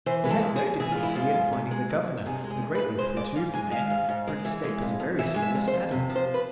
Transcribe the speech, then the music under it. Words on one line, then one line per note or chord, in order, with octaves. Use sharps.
He had no difficulty in finding the Governor, a greatly perturbed man, for an escape is a very serious matter.
E3 C5
G#3 B4
A4
G#2
G#4
G#2
E3 G#4
F4
G#3
E4
G#2 F4
G#2
C3
G#3
D2
D2
C3 G#4
G#3
G#4
D2
B4
D2
G#3 C5
G#2 D5
G#2 F5
G#3 G#5
G#3 F5
G#2
G#2
G#3
E3
G#3
F2
F2
E3 E5
G#3
E5
F2
C5
F2
C3
F3
C5
B4